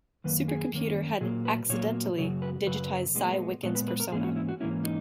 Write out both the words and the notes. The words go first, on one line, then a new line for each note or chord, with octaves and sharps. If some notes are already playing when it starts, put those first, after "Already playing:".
Supercomputer had "accidentally" digitized Sy Wickens' persona.
F#2 D#3 A#3 B4
G#4
F#2 D#3 A#3 C#4
A#2 F#3 A#3 G#4
B4
A#2 F#3 A#3 C#5
F#2 C#3 F#3 C#5
B4
F#2 C#3 F#3 B4
A#2 G#3 B3
A#2 G#3 B3 C#5
B4
B4
A#4
G#2 E3 A#3 C#4 G#4
F#4
E4
F#4
G#2 E3 A#3 C#4 E4
D#4